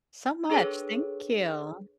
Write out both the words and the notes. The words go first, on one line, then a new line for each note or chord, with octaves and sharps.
So much. Thank you.
D4 G#4 A4 B4 C#5